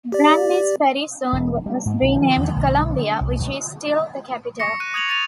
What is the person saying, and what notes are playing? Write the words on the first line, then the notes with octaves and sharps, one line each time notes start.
Granby's Ferry soon was renamed Columbia, which is still the capital.
G4 D5
E1
G3
G#2
B1
F3
E2
B1
D3
C2
B1
C#6 D6 A#6 C#7
F#6 D#7
D#6 G#6 F7 F#7
A6 C#7 D#7 F7